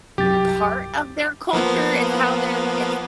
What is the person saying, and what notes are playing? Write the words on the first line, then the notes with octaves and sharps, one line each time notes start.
part of their culture, it's how they're it's
C2 F#2 G4 A6
F3 A#3 B3